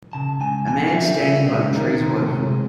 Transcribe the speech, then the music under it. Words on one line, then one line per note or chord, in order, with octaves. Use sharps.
A man standing by the trees working.
C#3 A5
C#2 G#5
E3 G#5
G3 E5
C#3 E5
C#2 D#5
D#3 A#4
C3 C5
G#3 C5